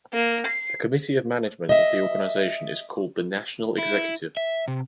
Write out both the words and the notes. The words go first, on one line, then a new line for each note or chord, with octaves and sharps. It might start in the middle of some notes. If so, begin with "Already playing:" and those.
The Committee of Management of the organisation is called the National Executive.
A#3
C7
D#5 E5
E4
E5
C3